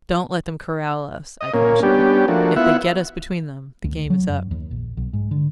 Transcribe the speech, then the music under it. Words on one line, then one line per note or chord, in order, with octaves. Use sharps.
"Don't let them corral us," I cautioned; "if they get us between them, the game is up."
D#5
A#2 A#3 C#4
G3 B3 C#4 D4 G4
F3 A3 A#3 D4 F#4
B3 E4 F4 E5 F#5
D2
F#3
F#2
D#2
A#1
B1
G#2
D3